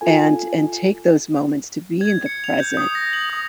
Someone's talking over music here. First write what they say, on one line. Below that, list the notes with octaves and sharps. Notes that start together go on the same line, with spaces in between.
and and take those moments to be in the present,
F4 A4 G#5
G#6
C#7
F7
G6
D#6
A#6
F#7
D#6